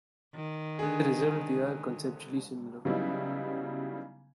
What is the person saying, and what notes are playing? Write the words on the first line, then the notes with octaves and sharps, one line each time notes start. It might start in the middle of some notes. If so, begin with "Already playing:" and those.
As a result, they are conceptually similar.
D#3
D3 G#4
C#3 F#3 G3 B3 D#4 E4